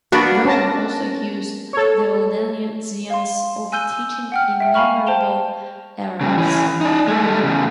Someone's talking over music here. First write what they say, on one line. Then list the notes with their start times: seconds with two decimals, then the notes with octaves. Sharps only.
Rome also accused the Waldensians of teaching innumerable errors.
0.12 A#3 B3 D4 F#4
0.45 C#4 A5 A#6
1.73 A4 C#5
3.10 F5 C6
3.72 G#5 E6 F#6 G6 D#7 G7
4.32 F#5 G5 F6
4.60 E5 G5
4.74 F5 G#5 A#5 B5 C#6 F6
5.06 C5 G5 A5 F7 G7
6.21 G2 C#3
6.38 E3 C#4
6.81 D#4 D5
7.08 G#3 A3
7.26 G3 A4
7.43 E2 C#3